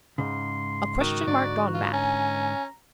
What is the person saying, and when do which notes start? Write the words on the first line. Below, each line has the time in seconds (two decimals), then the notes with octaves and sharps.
A question-mark gone mad.
0.18 G#2 C#3 C6
1.00 D#3 F#4
1.27 G#2 D3 D5
1.74 F4
1.93 C#4 G#5 A#5